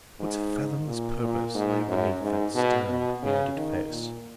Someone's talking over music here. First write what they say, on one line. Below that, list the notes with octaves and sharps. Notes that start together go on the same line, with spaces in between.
What fathomless purpose lay beneath that stern, bearded face?
G#2
A#2
A#2
G#2
F#2
G#2
B2
B2
C#3
D#3
A#2